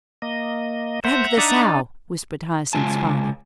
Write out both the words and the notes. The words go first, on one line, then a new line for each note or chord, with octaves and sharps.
"Drug the sow," whispered Hyacinth's father.
A#3 D#5
C5 E5 F#5 A#5
D4 D#4 D5
C#3 G#3 F4 G#5 A5